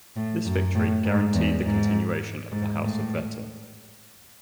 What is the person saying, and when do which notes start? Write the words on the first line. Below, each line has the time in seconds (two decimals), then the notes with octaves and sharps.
This victory guaranteed the continuation of the House of Wettin.
0.15 A2
0.44 F#2
0.74 A2
1.04 G#2
1.32 E2
1.63 G#2
2.51 G#2
2.80 A2